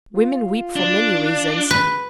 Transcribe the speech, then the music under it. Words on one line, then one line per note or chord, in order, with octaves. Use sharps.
Women weep for many reasons.
F4
D4
B4